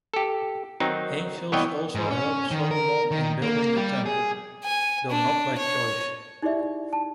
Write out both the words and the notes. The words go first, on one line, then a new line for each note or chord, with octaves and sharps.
Angels also helped Solomon in building the Temple; though not by choice.
G4 A4
D#3 F#3 C4 D#4
C2 E3 B3 C#5 D#5 G5
G#2
C#4
D#3
A#4
D#3
A#3
G3
G#4
G#5
D4
C#5
D#4 E4 G4 G#4 D5 E5
A5